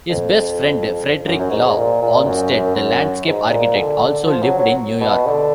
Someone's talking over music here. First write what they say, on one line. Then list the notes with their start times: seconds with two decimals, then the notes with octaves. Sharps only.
His best friend, Frederick Law Olmsted, the landscape architect, also lived in New York.
0.10 F2
1.27 F#2
1.39 F#2
1.51 G#2
1.64 G#2
1.77 A#2
2.02 A#2
2.26 F#2
2.51 F#2
2.76 F#2
3.27 G#2
3.51 A#2
3.76 D3
4.27 F3
4.43 F#3
4.59 F#3
5.01 B2
5.26 D3